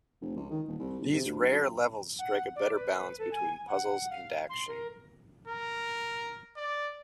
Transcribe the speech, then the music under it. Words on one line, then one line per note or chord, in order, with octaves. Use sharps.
These rare levels strike a better balance between puzzles and action.
F1
C#2
D#3
D#1
C2
G1
C3
D2
B1
F#2
F#5
D5
B4
A4
G#5
F#5
F5
C6
A#4
A#4
D5